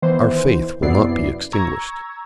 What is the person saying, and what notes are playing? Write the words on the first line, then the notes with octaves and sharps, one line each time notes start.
Our faith will not be extinguished.
D#3 E3 B3 C5
F#2 C3 B3 E4 D5 C7
A#5 C#6 E6 G#6